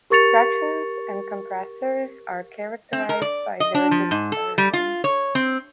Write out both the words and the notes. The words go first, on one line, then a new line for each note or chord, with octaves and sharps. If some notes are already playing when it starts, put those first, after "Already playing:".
Stretchers and compressors are characterized by their dispersion.
G4 A#4 C#6 A6 C#7 F7
C4
A#4
D5
D#5
D4
F3
G#2
A4
G3
F4
C#5
C4